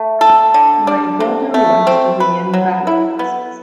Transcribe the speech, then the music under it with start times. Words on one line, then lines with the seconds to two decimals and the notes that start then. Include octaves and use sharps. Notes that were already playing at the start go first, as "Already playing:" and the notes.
My daughter wants to begin ballet classes.
Already playing: A3
0.21 A4
0.54 D3
0.87 D4
1.20 C3
1.54 A3
1.87 C4
2.20 B4
2.54 F#3
2.87 E4
3.19 B3